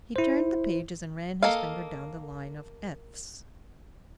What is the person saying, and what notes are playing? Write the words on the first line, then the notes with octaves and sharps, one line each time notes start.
He turned the pages and ran his finger down the line of "Fs."
E4 C5
A#3 A4 D#5 F5